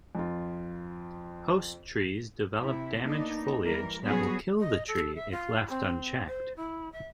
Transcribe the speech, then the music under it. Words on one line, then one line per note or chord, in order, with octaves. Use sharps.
Host trees develop damaged foliage that will kill the tree if left unchecked.
F2 F4
C3 E4
A#3 B3 D4 D#4
E3 G3 A#4
F#3 G3 B3 C#4 F#4 G#4
D#5
A4
E5
F4
C4
C5
E4
E5